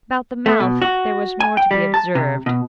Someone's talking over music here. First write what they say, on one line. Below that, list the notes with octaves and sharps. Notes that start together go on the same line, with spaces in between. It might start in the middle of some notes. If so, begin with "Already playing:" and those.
About the mouth there was more to be observed.
A3
B2
F#4
G#5
G5
G3
A5
C3
B2